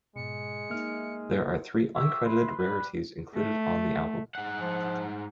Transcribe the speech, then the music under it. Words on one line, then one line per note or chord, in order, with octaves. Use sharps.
There are three uncredited rarities included on the album.
G#2 B2 G#3 C#7
A#3 D#4 E5 F6
G4 C#5 E5
B4 E5 C6
G3 B4
A3
G#2 F#5
F3